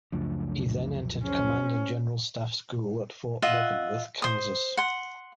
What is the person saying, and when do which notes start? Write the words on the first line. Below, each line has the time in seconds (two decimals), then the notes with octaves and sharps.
He then entered Command and General Staff School at Fort Leavenworth, Kansas.
0.12 C#2 F#2 C#3 F3 A3 D4
1.25 C#4 G#4 C5
3.42 F4 D#5 E5 F#5
4.22 C5 D#6
4.77 F#5 C6